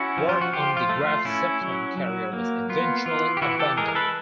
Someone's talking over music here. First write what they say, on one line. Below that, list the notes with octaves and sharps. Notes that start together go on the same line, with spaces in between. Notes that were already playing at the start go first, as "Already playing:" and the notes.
Work on the "Graf Zeppelin" carrier was eventually abandoned.
Already playing: C#4 E4 F#4
F3
F4
F#4
F3 F4 G4
F4
A3
F4
C#4 E4
F#3
F#3
A#3
B3 F4
E3 F4
G4
E3 E4 F#4
G4 A4
G#3 G#4 A#4
A#4
A4 B4